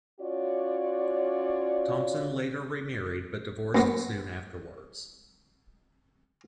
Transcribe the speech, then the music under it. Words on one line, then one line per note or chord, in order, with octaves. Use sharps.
Thompson later remarried but divorced soon afterwards.
C#4 F4 F#4 C#5 D5
F#2 A#3 B3